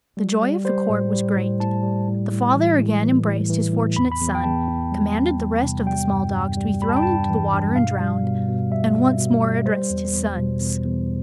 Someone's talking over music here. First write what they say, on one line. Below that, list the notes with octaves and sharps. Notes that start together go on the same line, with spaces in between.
The joy of the Court was great. The father again embraced his fortunate son, commanded the rest of the small dogs to be thrown into the water and drowned, and once more addressed his sons.
G3
G3
G3 C5
A2
G3
A2
A2 A5
G3
A2
A2
E3
A2
E3
A2
E3
A2
E2 B5
B5
E2
G5
E2 A5
E2
G3
E2
E2
C3
G3 G5
G2
G2
G3
G3 B5
A5
G5
G2 A5
E3
G2
B2 F5
G3
B2
B2
G3 E5
G3
B2
G3
G3 C5
E2
E2
B2
E2
E2